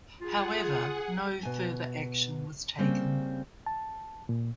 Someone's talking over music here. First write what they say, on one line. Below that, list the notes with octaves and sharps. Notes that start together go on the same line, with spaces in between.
However, no further action was taken.
F4 G#4 F#5
B2 G#5
C#3 G3 A#3 C4 C#4
A5
A#2